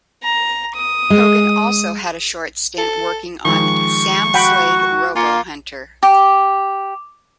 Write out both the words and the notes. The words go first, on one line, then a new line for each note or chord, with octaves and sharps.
Hogan also had a short stint working on "Sam Slade, Robo-Hunter".
A#5
D#6
G#3
A4
D#3 F3 G#3 C#6
F#4 F#5 G5 B5
A#3 F4 G#5 C#7
G4